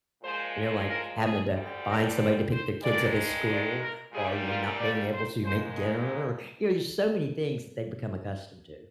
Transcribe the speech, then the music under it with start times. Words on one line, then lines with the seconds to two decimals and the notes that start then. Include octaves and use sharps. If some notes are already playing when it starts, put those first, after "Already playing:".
You know, like, having to find somebody to pick their kids up at school or you're not being able to make dinner, you know, there's so many things that they've become accustomed to.
0.21 A#2 F3 G#3 C5
0.87 A#4
1.20 G#4
1.52 D2 D3 G3
1.85 A#4
2.50 C5
2.82 G2 D#3 G#3 D5
3.48 D5
3.80 A#4
4.13 A#2 G3 G#4
4.46 F4
4.78 D5
5.11 C5
5.43 D#2 D#3 G#3 C5
5.76 G#4